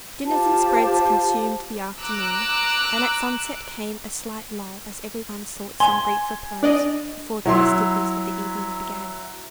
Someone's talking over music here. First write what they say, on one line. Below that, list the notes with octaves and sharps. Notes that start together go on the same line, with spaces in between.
Dinners and spreads consumed the afternoon, and at sunset came a slight lull as everyone sought some brief repose before the festivities of the evening began.
F4 G4 C5 A5
A#5 D6 E6 F#6
G#5 C6
D4 D5 D#5
F#3 E4 C6